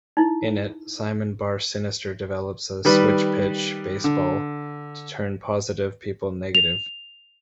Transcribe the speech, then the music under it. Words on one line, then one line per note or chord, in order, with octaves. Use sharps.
In it, Simon Bar Sinister develops a Switchpitch baseball to turn positive people negative.
D#4 E4
D#3 G3 B4
D3
F7